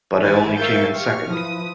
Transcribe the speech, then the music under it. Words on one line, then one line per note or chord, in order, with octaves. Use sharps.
But I only came in second.
G#1 E3 E4 G#5 A6
A#4 E5 F5 C#6 G6 A6
G4 C#6 F6
F3 E4 B4 D#6